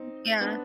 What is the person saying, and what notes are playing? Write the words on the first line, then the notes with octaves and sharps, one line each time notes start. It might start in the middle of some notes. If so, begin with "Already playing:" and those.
Hmm, yeah.
Already playing: C4 D#4
B3 D4